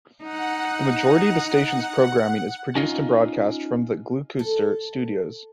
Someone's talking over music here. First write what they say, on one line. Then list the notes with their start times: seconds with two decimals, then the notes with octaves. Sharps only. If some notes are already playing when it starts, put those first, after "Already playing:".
The majority of the station's programming is produced and broadcast from the Gloucester studios.
0.24 D#4 F#5
2.75 C#4 D#4 F4
4.39 A4